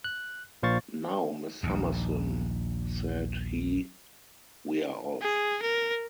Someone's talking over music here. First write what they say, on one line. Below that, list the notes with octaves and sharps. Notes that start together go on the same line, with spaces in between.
"Now, Miss Summerson," said he, "we are off!"
F#6
A#1 A#2 C5 F5 C#6 A6
A#1 D#2
G#4
A#4